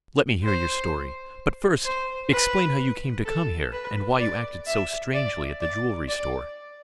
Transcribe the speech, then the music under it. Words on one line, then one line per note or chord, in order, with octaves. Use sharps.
"Let me hear your story. But first explain how you came to come here, and why you acted so strangely at the jewelry store."
C5
C5
B4
A4
B4
D5
E5
D5
D5
D5